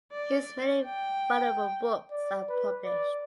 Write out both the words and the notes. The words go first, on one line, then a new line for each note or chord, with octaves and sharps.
His many valuable books are published.
D5
G5
D5
B4
D5